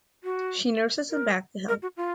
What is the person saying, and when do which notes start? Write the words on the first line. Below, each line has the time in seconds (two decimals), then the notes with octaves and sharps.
She nurses him back to health.
0.24 F#4
1.10 A#4
1.68 A#4
1.82 F#4
1.97 F4